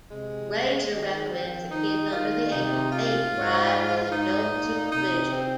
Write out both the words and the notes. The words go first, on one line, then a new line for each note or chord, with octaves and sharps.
Razor recommends that kids under the age of eight ride with adult supervision.
C3 G#3
D#3
F3 C4
D#3 D#4
D#3 F4
C3 D#4
F4
G#2
G#2 D#4
A#2
C3 D#4
C4